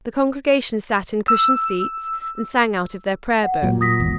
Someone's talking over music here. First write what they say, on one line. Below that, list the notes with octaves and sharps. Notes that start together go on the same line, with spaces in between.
The congregation sat in cushioned seats, and sang out of their Prayer-Books.
E6
F#5
A#2 F#3
D#6 A#6 B6
G#1 E2